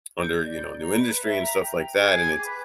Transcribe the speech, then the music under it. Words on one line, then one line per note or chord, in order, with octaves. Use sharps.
under, you know, new industry and stuff like that, and it's,
G6
D5
A#5
B4
E5
A#5
G5
G#4
D6
B4